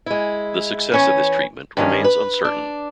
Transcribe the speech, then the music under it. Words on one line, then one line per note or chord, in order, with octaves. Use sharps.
The success of this treatment remains uncertain.
G#3 E4
E3 C#4 C#5
G2 D#3 C#4
B4
D4